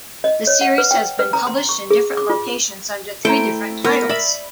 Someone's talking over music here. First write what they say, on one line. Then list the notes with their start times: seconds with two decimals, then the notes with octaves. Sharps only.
The series has been published in different locations under three different titles.
0.24 D#5
0.47 C#5
0.61 F#5
0.78 B4
0.91 G5
1.19 B4
1.33 A#5
1.47 C6
1.69 C#6
1.91 G#4
2.17 D6
2.30 F4
3.25 A3 E4 A4 C5 G5 A#5
3.85 B3 A#4
4.09 D5 E5 B5